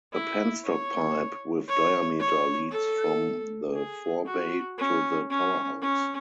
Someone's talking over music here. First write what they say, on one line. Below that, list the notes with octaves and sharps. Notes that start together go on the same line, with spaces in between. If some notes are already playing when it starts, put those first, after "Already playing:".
A penstock pipe with diameter leads from the forebay to the powerhouse.
E4
C#5
C#5
C#5
A4
G#4
F#4
C#4
C#4
C#4